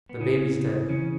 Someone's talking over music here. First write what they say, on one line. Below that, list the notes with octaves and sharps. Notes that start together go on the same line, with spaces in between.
The baby's dead.'
B3
C#3 C#4 E4
B3
E4
C#3 E3 C#4